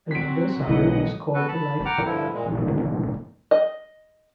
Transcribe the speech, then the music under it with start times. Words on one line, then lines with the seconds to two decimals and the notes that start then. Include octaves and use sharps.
Another summary is called the life table.
0.11 F#3 C4 F#4 B6 D7
0.67 B1 G#2 D#3 E3 G3 E4 D#5 F#5
1.34 B3 F#4 A4 B4
1.48 A5 B5
1.85 F#5 G5 A#5 D6 F6
2.05 G2 D3 F3 E4
2.33 A#2 G#3
3.51 D#5